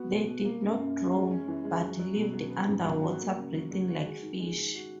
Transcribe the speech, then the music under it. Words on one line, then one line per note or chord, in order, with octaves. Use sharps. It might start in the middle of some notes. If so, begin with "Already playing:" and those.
They did not drown, but lived underwater breathing like fish.
Already playing: B3 F#4
B2
B2
A#3
F#2
F#2
F#2
G#3
C#4
E3
G#3
F#3
F#3
B2
F#3
B3
G#2
F#3
F#4
A#3
C#3
F#3
F#3
F#4
G#3
D#3
G#3
D#3
F#4